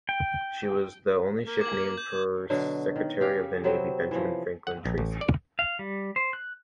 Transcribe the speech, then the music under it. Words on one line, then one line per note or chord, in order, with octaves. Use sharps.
She was the only ship named for Secretary of the Navy Benjamin Franklin Tracy.
G5
A#3
D6 G#6 F#7
G6
B2 D3 F#3
D#3
C#3 G4 F5
C3 F#3 B3 C4
E3 F3
F#5
A#1
A1
D5
F5
G3
C5
F#6